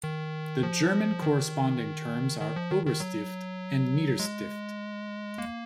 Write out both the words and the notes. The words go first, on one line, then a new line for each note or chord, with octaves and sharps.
The German corresponding terms are "Oberstift" and "Niederstift".
D#3
F3
D#3
D#3
F3
D#3
D#3
F#3
G#3
A#3